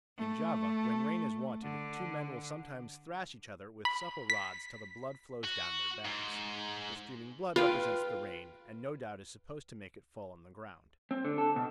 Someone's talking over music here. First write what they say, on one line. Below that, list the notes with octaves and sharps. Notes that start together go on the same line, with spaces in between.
In Java, when rain is wanted, two men will sometimes thrash each other with supple rods till the blood flows down their backs; the streaming blood represents the rain, and no doubt is supposed to make it fall on the ground.
A3
D3
B5
B6
F#4
G#2
F4 B4 F5 G5
C4
D3
A4
B2